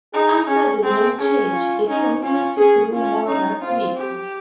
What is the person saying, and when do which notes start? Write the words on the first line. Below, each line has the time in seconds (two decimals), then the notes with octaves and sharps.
After the name change, the community grew more rapidly.
0.13 D#4 G#4
0.47 C#4 G#4
0.83 C4 G#4
1.18 C#4 G#4
1.52 F4
1.87 C#4 D#4
2.22 C#4 F4
2.57 C#4 G#4
2.91 C#4 F4
3.27 C#4 D#4
3.62 C4 F4
3.97 G4